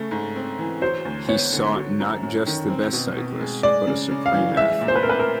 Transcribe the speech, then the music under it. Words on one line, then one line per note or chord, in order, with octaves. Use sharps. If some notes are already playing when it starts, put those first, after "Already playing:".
He sought not just the best cyclist but a supreme athlete.
Already playing: C#3 A3
G#2
C4
E3
F#3 C5
D2
B3 C#5
D3
F#3
F#2
F#2
D#3
C4
B2
B2
G#3
G#3 D5
C#3
C#3
F5
E3
G#3 E5
A#2
C5
B4
C4 A#4
B4
A#4